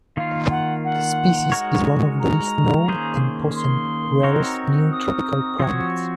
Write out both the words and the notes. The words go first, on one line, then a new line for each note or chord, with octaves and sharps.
The species is one of the least known and possibly rarest Neotropical primates.
D#3 A#3 F4 F5
F#5
F#5
G#3 D#4 F#4 A#4 C#5
A#5
D#3 A#3 C#4 G#4 C5
C6
C4 D#4 F#4 A#4 C#5
D#6
F3 C4 F#4 C#5